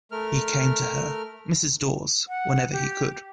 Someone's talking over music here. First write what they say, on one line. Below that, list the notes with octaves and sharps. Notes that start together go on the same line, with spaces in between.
He came to her, Mrs. Dawes, whenever he could.
A3 A#4 F6
F#5
G4